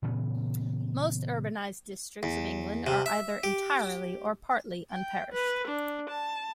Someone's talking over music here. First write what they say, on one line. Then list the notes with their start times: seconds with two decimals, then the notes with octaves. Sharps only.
Most urbanised districts of England are either entirely or partly unparished.
0.02 A#2 C#3 E3 B3
2.23 E2
2.87 C3
3.06 E5
3.44 G4
4.91 G5
5.32 B4
5.67 D4
6.09 A5